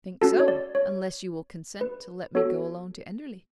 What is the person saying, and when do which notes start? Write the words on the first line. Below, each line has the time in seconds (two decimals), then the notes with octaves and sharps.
"I think so, unless you will consent to let me go alone to Enderley."
0.21 C#4 F#4 A4 A5
0.39 C#5
0.48 D5
0.75 C#5
1.81 B4
2.35 B3 F#4 A4 C#5